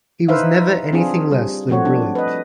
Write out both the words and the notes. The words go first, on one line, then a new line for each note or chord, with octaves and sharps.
He was never anything less than brilliant.
D#4 E4 B4 C5 E5 F5
C4 D4 F4 G#4
G3
F3 A3 C4 F#4 C#5
D4
B4 D#5